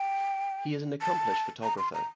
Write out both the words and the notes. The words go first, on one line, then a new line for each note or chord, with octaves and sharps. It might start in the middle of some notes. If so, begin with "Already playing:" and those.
He is an accomplished photographer.
Already playing: G5
A5
A#5
C6
A#5